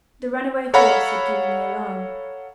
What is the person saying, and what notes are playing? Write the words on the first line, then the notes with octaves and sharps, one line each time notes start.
The runaway horse had given the alarm.
A4 C#5 F5 F#5 A#5 B5